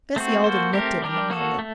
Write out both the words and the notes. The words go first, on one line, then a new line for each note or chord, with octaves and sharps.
Bessie Alden looked at him a moment.
A3 C4 F#4
A#3 F#4 A4 C5
A3 C4 G4 A#4
G3 D4 G4 A#4
A#3 F#4 A4
A3